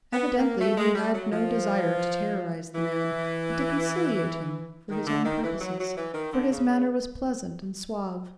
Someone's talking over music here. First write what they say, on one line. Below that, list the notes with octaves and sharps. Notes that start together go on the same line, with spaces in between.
Evidently he had no desire to terrorize the man, but to conciliate him, for his own purposes, for his manner was pleasant and suave.
B3
A#3
A3
G#3
G3
F#3
F3
E3
D#3
D3
D#3
E3
F#3
F#3
E3
D#3
D3
C#3
C#3